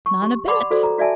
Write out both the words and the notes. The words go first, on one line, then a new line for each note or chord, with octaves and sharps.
'Not a bit.
C#6
G4
D5 F#5 B5 C6 D6
F#4 A4 C5 D5
A#5
F#4 D5 E5 G#5 A5